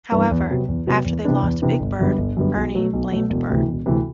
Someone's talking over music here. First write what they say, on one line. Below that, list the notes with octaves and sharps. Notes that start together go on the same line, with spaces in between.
However, after they lost Big Bird, Ernie blamed Bert.
G2 E3 B3 E4
E2
C3 F#3 B3
E2
C3 F#3 B3
E2
C3 E3 B3 D4
E2
C3 E3 B3 D4
G1
F#2 D3 G3 B3
G1
F#2 D3 G3 B3
B1
B2 F#3 A3
B1
B2 F#3 A3
E1
D2 C3 E3
E1
D2 C3 E3